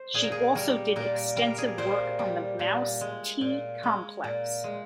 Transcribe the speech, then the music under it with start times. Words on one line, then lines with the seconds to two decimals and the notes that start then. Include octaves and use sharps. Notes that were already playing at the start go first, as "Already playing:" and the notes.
She also did extensive work on the mouse t-complex.
Already playing: C5
0.14 A#2 G#4
0.23 A#4
0.32 G#4
0.55 G3 A#4
0.96 A#2 A#4
1.37 G3 A#4
1.58 G#4
1.78 A#2 C5
2.19 G3
2.59 A#2
3.01 G#3
3.41 A#2
3.83 G#3
4.24 A#2
4.64 G#3